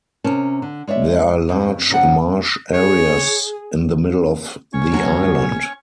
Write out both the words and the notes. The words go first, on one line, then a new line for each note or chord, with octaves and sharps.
There are large marsh areas in the middle of the island.
C3 C#4 A#4 A5
D3
G#3 C#5 D5 E5
F2
F#2 C#3 F3 F#5
G#4 C#5
C#4 C#5 C#6
D2 F#3